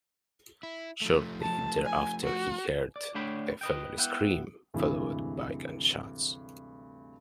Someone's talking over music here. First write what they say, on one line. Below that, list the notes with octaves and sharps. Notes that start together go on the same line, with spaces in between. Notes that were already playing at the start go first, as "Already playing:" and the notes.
Shortly thereafter he heard a female scream, followed by gunshots.
E4
F3 A3
A5
G#5
F#4
D5
D3 A3 D4 C#5 G5 B5
B4 D#5 G5
B3 E4 F#5 G5
D2 G2 C3 E3 G#3